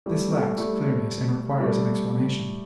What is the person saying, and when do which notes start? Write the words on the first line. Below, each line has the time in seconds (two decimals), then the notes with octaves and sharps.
This lacks clearness, and requires an explanation.
0.06 G3 A3
0.31 G3 A3
0.57 G3 A3
1.60 G3 A3